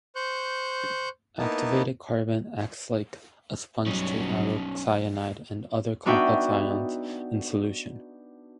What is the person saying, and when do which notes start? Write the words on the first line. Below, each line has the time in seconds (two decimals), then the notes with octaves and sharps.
Activated carbon acts like a sponge to aurocyanide and other complex ions in solution.
0.16 C5 C#6 F#6 G6
1.39 A#3 B3 D#4 E4 A5
3.86 B1 G2 F#3 C#4 D#4
6.06 B3 D4 D#4 F#4 E5 G5